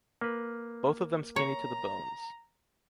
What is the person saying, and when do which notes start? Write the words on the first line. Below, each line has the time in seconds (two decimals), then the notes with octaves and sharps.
Both of them skinny to the bones.
0.21 A#3 B4
1.36 C#5 A#5